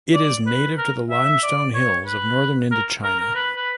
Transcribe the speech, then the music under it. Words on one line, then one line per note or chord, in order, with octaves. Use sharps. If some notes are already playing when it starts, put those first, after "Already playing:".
It is native to the limestone hills of northern Indochina.
D5
B4
A#4
E5
E5
D5
C#5
B4
A#4
A#4
A#4
B4
B4